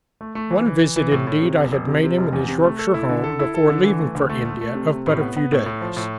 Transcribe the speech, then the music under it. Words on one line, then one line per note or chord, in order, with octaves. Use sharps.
One visit, indeed, I had made him in his Yorkshire home, before leaving for India, of but a few days.
A3
A3
E3
E3
E3
E3
A2
A2
C3
F1
F1
C3
C3
F1
E2
C3
A3
A4
E4
D3
A4
E4
A4
D3
E3
A3
D2
A3
A3
A3
C3
C3
A2
B3
B3
A2
A2
F3
A2